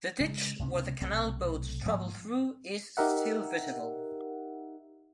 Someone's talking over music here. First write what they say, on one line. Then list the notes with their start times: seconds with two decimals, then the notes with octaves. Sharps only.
The ditch where the canal boats traveled through is still visible.
0.20 C#3 G#3
0.59 C#2 C3 B3 C#4
1.01 B1 C3 A3 C4
1.85 G#2 F3 G3 A#3
2.97 D#4 G4 A#4 E5 F#5